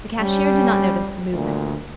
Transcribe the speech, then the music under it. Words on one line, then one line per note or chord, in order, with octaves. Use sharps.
The cashier did not notice the movement.
G3 C#4
D2 A#2